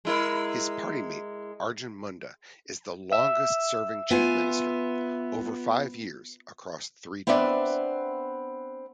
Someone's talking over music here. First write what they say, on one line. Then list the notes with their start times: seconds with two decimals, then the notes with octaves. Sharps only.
His party-mate Arjun Munda is the longest-serving chief minister-over five years, across three terms.
0.05 G#3 E4 A#4
3.12 E5 E6
4.10 B3 F4 G#5
7.27 B3 C4 D4 D5 E5